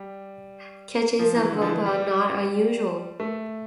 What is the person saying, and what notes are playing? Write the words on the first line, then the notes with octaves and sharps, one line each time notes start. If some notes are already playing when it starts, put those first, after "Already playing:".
Catches above are not unusual.
Already playing: G3
F3
E3
D3
F3
E3
G3
A3